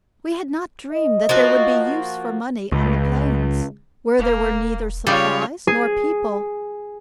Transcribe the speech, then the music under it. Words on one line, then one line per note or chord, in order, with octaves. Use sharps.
We had not dreamed that there would be use for money on the Plains, where there were neither supplies nor people.
D#5
F3 A#3 F#4
C#2
E1 A#3
C#3 G3 F4 C#5
G#4